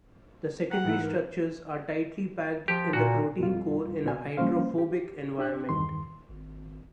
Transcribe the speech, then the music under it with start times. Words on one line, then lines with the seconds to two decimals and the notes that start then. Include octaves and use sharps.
The secondary structures are tightly packed in the protein core in a hydrophobic environment.
0.71 F#5 G5 A#5
0.84 G#2 E3 D#4 E4
1.01 A#4
2.68 F3 G4
2.93 A#2 F#4
3.40 F2 B2 G3 F4
4.04 C2 B2 G#5
4.37 F3 G3 A#3 C#4 C5 F5
4.78 G4
5.38 D4 G4 F#6
5.69 E2 G2 D#3 C6
6.29 G#1